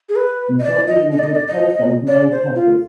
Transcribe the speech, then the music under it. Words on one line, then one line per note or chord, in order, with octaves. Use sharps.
His hobbies include tennis and playing Tetris.
G#4
B4
D#5
D5
D#5
D#5
D5
D#5
D5
D#5
D5
C5
F4